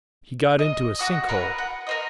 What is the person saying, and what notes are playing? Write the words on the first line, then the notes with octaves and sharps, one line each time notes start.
"He got into a sink-hole."
D#5
F#4 F#5 D#6
A#4 B4 F#5
F#5
A#4 C5 D#5